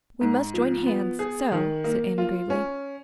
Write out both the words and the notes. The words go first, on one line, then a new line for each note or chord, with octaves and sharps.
"We must join hands--so," said Anne gravely.
G#2
F3
B3
G#4
D#3
A#3
F4
C#4